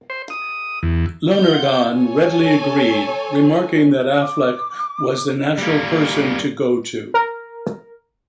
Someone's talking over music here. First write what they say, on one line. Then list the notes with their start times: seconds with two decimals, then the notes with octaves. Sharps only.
Lonergan readily agreed, remarking that Affleck was the natural person to go to.
0.10 C5
0.30 D#6
0.83 E2
1.38 F4 F#5 G6
1.94 A4 C#5 G#5
4.21 D6
5.58 G3 A#3
7.14 A#4